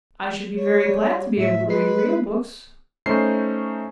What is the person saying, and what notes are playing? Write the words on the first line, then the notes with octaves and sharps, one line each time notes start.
'I should be very glad to be able to read real books.
C#5
G3
A2 E5
G#3 B4 C7
A3 C#4 D#4 C5 C7